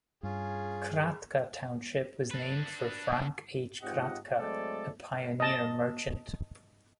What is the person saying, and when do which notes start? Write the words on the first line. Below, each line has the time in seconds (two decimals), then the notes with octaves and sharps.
Kratka Township was named for Frank H. Kratka, a pioneer merchant.
0.23 G2 C#4 F4 G#4
2.31 D4 B4
3.82 G#2 C4 F4 G4 D#5 F#5
4.38 F#3 G#3 A3 C4 A4 D5
5.40 D#5 A5